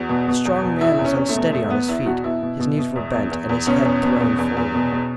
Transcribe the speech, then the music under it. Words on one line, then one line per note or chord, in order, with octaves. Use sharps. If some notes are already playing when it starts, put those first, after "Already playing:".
The strong man was unsteady on his feet, his knees were bent, and his head thrown forward.
Already playing: E2 F#4
B2
B2
E2
B2
E2 E4
E2
C#4
E2
A3
B2
E2 A3
E2 B3
E2 E4
B2 F#4
B2 E4
B2
B2
B2
E2
E2
E2
E2
B2 C#4
E2
B2
E2
E2
E2
B2
B2